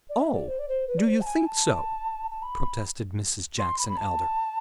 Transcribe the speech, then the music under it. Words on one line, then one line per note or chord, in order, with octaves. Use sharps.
"Oh, do you THINK so?" protested Mrs. Jackson Elder.
D5
E5
D5
C5
D5
C5
B4
D5
C5
A5
G#5
A5
A5
B5
C6
B5
B5
A5